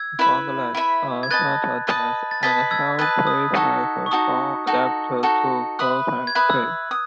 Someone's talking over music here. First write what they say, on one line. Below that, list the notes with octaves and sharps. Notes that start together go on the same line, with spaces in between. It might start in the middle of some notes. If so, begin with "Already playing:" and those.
The front legs are shortest and have preapical claws adapted to puncture prey.
Already playing: E6 G#6
E4 B4 E5 B5
E4 B4 E5 B5
G#6
B4 D#5 A5 F#6 A6
B4 D#5 A5
A6
B4 D#5 A5 G#6 B6
E6 G#6
B4 D#5 A5 F#6
D#6
D#4 F#4 A4
C#6
D#4 F#4 A4 D#6
D#4 F#4 A4
D#4 F#4 A4
B4 E5 B5 D#6 F#6
G#6
B4 E5 B5 D#6 F#6
E6
D#6